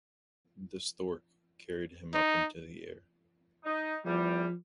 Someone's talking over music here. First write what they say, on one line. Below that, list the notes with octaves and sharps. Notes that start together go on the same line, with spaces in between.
The Stork carried him up into the air.
D#4
D#4
E2 F3 G3